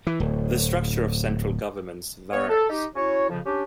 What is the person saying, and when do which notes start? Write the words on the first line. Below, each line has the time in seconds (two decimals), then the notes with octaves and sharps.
The structure of central governments varies.
0.07 E3
0.20 D1
2.33 B3 C#5
2.49 A4
2.70 D#4 G4
2.96 C#4 E4 F#4 C#5
3.30 F2 C#3 F3
3.46 C#4 D4 G4